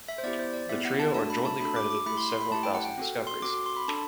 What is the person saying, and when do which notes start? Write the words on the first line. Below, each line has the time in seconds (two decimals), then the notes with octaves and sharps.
The trio are jointly credited with several thousand discoveries.
0.08 E5
0.18 C5
0.23 B3 E4 G4 D5
0.39 C5
0.54 D5
0.69 B3 E4 G4 E5
0.85 F#5
0.99 A5
1.14 A3 D4 F#4 A4 A5
1.30 B5
1.45 A5
1.60 A3 D4 F#4 A4 B5
1.76 D6
1.90 D6
2.06 A3 E4 G4 B5
2.17 C6
2.29 C6
2.40 B5
2.51 A3 E4 G4 A5
2.63 G5
2.75 F#5
2.85 G5
2.98 C4 F#4 A4
3.27 C6
3.42 C4 F#4 A4 D6
3.54 D6
3.66 C6
3.76 B5
3.88 D4 A4 A5